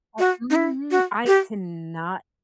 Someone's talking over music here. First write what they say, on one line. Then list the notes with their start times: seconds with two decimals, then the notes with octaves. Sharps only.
Uh, mhm, I cannot
0.19 F#4
0.50 D#4
0.55 E4
0.91 F#4
1.27 G4